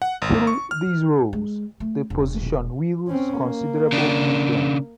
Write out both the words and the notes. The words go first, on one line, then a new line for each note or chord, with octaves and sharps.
Through these roles the position wields considerable influence.
F#5
G#1
C#6
F6
G#3
A3
E1
C4 C#4
A#3
C#3 D4